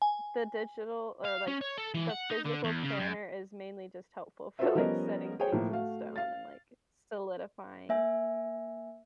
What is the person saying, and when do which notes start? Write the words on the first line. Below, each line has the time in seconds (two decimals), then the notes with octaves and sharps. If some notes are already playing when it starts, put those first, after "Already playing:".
the digital, or, like, the physical planner is mainly just helpful for like, setting things in stone, and, like, solidifying,
0.02 G#5
1.25 F5
1.47 C#4
1.61 C#5
1.78 A4
1.94 E3
2.09 F#5
2.30 D#4
2.45 D3
2.64 E2
2.83 C#3
2.99 F#2
4.59 F4 F#4 A4 B4 C5 E5
4.75 F3 G3 B3 C#4 A#4 D#5
5.40 G#4 C5 C#5 G5
5.52 A2 F3 A#3
5.69 A3 F#4 F5
6.16 F5 A6
7.89 A#3 E5 G#5